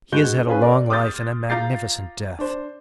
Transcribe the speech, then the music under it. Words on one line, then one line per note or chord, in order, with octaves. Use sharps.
He has had a long life and a magnificent death!
G2 G#3 F#4 G6 G7
C#4 F4 G#4 B4
A#4 D5 C6
C6 D6 D#6 F6 G6 A6
F4 A#5 D6 G6 A6 C7
D4 C5